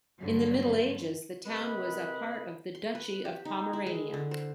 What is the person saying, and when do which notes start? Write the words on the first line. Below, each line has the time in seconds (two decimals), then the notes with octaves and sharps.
In the Middle Ages the town was a part of the Duchy of Pomerania.
0.18 G2 D3 F#3
1.45 C3 A#4 B4 D#5 B5
2.75 C6
2.95 B4
3.25 G4
3.45 D#4
3.73 E4
3.86 G#3
4.14 D3
4.31 C5